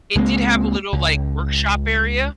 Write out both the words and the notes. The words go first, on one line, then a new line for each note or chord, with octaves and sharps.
It did have a little, like, workshop area
C#2 G#3 A#3 C4
C#2